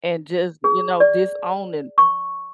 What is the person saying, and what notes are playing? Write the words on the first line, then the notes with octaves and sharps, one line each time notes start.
and just, you know, disowning
G#4
D5
C#6